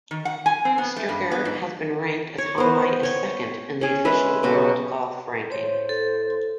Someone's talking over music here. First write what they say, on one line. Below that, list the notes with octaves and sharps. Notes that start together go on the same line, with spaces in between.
Stricker has been ranked as high as second in the Official World Golf Ranking.
D#3
F#5
G#5
C4
B3
A3
G2
B3
G#2
C#5
B3 A#4 C5
C#5 G5
C#4 G#4
G#3 B4 E5
B2 F#3 F#4 G4
A2 C5 C#5
A4